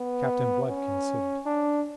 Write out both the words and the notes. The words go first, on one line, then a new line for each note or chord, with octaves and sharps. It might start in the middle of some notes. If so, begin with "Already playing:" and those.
Captain Blood considered.
Already playing: B3
C#4
D4